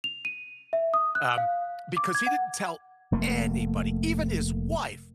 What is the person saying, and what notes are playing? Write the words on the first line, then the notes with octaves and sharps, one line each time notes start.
um, because he didn't tell anybody, even his wife
F7
D#7
E5
D#6
F#6
F5
D6
G#6
F#5
F1 A3 A#3